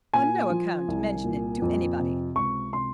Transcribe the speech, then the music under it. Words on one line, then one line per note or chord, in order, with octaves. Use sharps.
"On no account mention it to anybody."
A#2 G#5
F3
C2
A#2
F2
C3
C#2 C#6
C3 C6